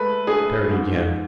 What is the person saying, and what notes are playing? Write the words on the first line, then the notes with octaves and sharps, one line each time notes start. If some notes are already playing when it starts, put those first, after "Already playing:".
Parried again.
Already playing: G#3 A3 B4
A3 G#4
G#2